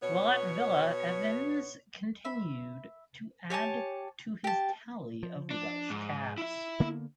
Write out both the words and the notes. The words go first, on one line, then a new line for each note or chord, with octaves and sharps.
While at Villa Evans continued to add to his tally of Welsh caps.
B2 B3 C#5
E5 B5
G4 C#5 G#5 A5
G4 A5
F3
D4
G#2
E4 E5
D3 A#3 B3